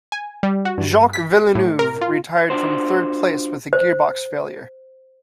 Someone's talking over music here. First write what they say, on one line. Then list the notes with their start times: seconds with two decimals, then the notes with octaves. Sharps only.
Jacques Villeneuve retired from third place with a gearbox failure.
0.12 G#5
0.43 G3
0.65 F#4
0.78 G2
1.13 B6
1.55 A2
1.79 A#4
2.01 F4
2.50 D4 F4 F#4 C5
3.73 C5